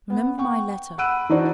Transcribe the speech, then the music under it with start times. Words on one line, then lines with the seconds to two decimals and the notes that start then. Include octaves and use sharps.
Remember my letter.
0.10 B3
0.38 F#5 G5 C#6
0.98 F#5 B5 E6 F#6 D7 D#7
1.29 E3 D4 D#4 F#4 C5 D5